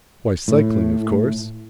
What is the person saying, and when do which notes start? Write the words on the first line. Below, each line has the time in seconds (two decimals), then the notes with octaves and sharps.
"Why, cycling, of course."
0.48 A2